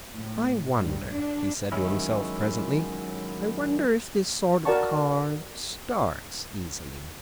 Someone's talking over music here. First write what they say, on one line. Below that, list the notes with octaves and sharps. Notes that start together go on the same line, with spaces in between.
'I wonder,' he said to himself presently, 'I wonder if this sort of car STARTS easily?'
A2
G2
D4
D#3 F#3 G#3 C#4 E4
F#4 A#4 D5 F#5 A5 C#6